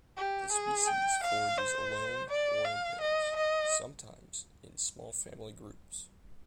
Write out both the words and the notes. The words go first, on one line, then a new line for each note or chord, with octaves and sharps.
The species forages alone or in pairs, sometimes in small family groups.
G4
G#4
G5
F5
C5
D5
F5
D#5
D#5